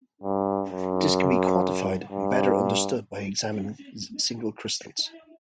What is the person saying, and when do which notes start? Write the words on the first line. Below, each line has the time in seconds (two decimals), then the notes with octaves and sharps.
This can be quantified and better understood by examining single crystals.
0.23 G2
0.71 F#2
2.12 G2